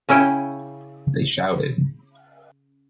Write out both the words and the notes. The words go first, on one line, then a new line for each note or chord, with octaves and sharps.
They shouted.
C#3 C#4 E4 G5